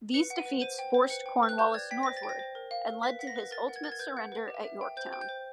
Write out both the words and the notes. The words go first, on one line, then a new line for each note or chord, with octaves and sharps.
These defeats forced Cornwallis northward, and led to his ultimate surrender at Yorktown.
B4 C#7
F#5
D#7
B4
C5 D#7
G5
C5
B4 C#7
G5
B4
F#6
G4 G6
D5 G#6
G5 B6
C5 A#6
A6
G5
A#6
C5
A#4
F5
A#4
B4 B6
F#5 B6
A#6
B4
A#4 A6
F#5
G#6
A#4 A6
G#6
B4 G6
F#5
B4
G4
E5
G5
C5 G6
G5
G6
C5